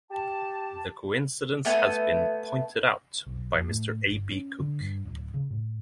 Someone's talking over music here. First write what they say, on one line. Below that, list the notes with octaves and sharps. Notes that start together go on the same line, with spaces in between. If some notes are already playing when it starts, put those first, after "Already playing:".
The coincidence has been pointed out by Mr. A. B. Cook.
G4 A5
A3 B3 G#5
B1
F2
A2
G1
C#4
D3
G2
D1
C#3
A2